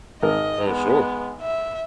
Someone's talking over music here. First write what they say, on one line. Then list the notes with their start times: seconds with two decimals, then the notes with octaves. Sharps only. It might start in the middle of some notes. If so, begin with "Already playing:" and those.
Oh, sure.
0.22 G#1 A#4 D#5
0.66 G#3 B3
1.42 E5